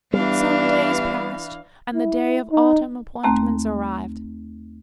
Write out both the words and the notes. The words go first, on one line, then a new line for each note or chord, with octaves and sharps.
Some days passed, and the day of autumn appointments arrived.
G2 E3 G3 B3 D4 F5
E4
D#4
D#2 A3 C4 A#5